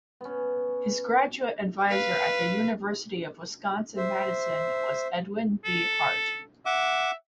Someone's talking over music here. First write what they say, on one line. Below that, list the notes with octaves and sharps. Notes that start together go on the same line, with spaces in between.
His graduate advisor at the University of Wisconsin-Madison, was Edwin B. Hart.
B3 C#4
B4 F5
C5 E5
A4
E5 F#5 D6